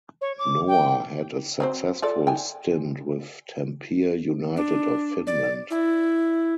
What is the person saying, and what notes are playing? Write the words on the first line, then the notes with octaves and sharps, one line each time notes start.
Noah had a successful stint with Tampere United of Finland.
C#5
D6
G5
F#3 C4 C5
F4 A4 D5
G5 G#5
D4
D5
E4